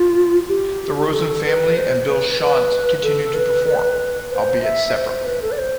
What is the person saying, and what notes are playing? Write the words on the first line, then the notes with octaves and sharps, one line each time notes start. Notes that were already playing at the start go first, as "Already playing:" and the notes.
The Rosen Family and Bill Shontz continue to perform, albeit separately.
Already playing: F4
G4
A4
B4
C5
B4
B4
A4
B4
C5
E5
C5
C5
B4
A4
D5
C5